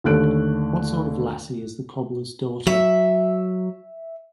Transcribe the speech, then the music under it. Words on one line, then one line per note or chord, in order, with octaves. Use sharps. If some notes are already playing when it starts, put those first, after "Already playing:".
What sort of lassie is the cobbler's daughter?
D#2 D3 A3 F#6 D7
F#3 E5